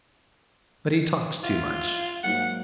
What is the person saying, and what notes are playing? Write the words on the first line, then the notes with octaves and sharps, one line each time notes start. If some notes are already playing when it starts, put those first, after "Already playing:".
"But he talks too much."
F4 E5 F#5
G#2 F#3 A#3 F#5